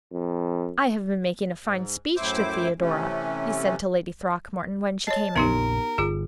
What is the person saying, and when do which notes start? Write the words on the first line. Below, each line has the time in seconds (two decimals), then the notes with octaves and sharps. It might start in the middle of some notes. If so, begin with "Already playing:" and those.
"I have been making a fine speech to Theodora," he said to Lady Throckmorton, when she came in.
0.12 F2
1.62 G#2
2.16 F#2 A2 E4 C5 D6
2.80 C3 E3 A3 C#4
5.07 C#5 D#5 A5
5.36 A#1 F2 C#3 B3 D#4 G4 A#4
5.98 G1 F4 G#4